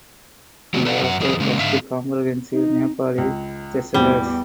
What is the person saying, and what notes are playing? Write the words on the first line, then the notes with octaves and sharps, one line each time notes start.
It was the first comprehensive Nepali thesaurus.
D#3 F#3 G#3 A#3 F#4
A4 B4 D5 D#5 F5 F#5
F#2 F#5
F2 G4 G#4
C#3 G#3 A#3
G#2 D3 E5 F5
D#4
C#2
E2 A2 G3 F#4